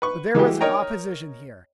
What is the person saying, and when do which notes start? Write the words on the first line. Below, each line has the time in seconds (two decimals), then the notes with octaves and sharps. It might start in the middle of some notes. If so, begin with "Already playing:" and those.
But there was an opposition here.
0.02 B4 C#6
0.35 E3 G#3 F#4 G4
0.61 A#4 C#5 D#5 G5 A#5